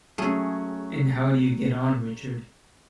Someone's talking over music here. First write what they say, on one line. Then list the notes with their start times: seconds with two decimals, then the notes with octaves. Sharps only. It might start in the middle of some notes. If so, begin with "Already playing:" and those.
And how do you get on, Richard?
0.18 F#3 A3 C#4 G#4